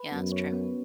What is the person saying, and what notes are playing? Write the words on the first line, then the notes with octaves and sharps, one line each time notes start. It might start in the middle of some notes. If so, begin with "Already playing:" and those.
Yeah, that's true.
Already playing: B4
F#2 B3
C#5
B3